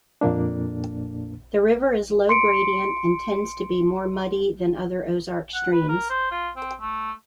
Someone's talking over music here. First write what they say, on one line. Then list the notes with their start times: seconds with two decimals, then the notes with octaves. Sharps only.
The river is low-gradient and tends to be more muddy than other Ozark streams.
0.21 F2 A#2 A#3 D4
2.29 C6 C#7 D7
5.54 F#5
5.72 B4
5.89 A#4
6.10 C5
6.32 F4
6.56 C4
6.80 A3